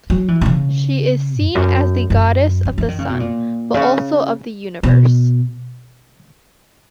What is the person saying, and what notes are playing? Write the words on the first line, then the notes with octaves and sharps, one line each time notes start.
She is seen as the goddess of the sun, but also of the universe.
F#3
E3
B2
C#3
E2
F#2
F#2
F#2
E3
D#3
C#3
B2
A#2
C#3
B2